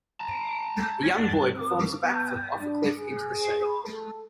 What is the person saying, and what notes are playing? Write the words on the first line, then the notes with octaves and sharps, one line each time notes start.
A young boy performs a backflip off a cliff, into the sea.
A5 A#5
C4
B3
D4
G#4
A4